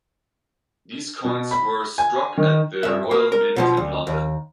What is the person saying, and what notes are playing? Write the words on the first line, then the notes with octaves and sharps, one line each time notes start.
These coins were struck at the Royal Mint in London.
B2
B5
G#5
D#3
G2 E5
A#3
A#4
B2 E3 F3
D2
D#2